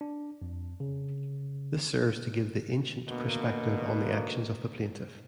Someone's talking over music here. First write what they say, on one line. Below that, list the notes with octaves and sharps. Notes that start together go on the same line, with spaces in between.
This serves to give the "ancient" perspective on the actions of the plaintiff.
D4
F2
C#3
B2 D3 A#3